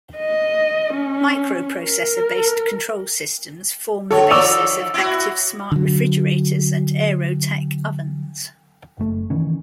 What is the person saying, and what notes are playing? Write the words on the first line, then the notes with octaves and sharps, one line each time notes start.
Microprocessor-based control systems form the basis of Active Smart refrigerators and AeroTech ovens.
D#5
C#4
A#4
D3 A4 C#5
D#3 F3 D5 C#6 D6 E6 F7
E4 F#4
D3 F#3
F#1 A3
D#3 E3 C#4